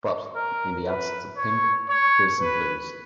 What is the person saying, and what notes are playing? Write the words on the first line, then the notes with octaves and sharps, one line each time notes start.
But, in the absence of pink, here's some blues.
A#4
B4
C#5
C#5
B4